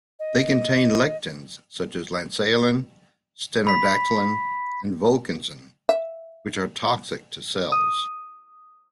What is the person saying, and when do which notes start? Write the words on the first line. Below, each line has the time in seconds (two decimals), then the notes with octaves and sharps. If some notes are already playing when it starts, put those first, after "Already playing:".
They contain lectins such as lanceolin, stenodactylin, and volkensin, which are toxic to cells.
0.19 D#5
3.67 B5 B6
5.89 E5
7.72 D#6